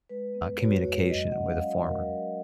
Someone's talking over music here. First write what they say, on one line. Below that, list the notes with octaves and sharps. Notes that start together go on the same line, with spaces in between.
communication with a former?
G#3 B4
B3
F#4 C#5
G#3 C#5
F#3 D#5
C#4 F#5
F5
F#4 D#5
F#3 A#4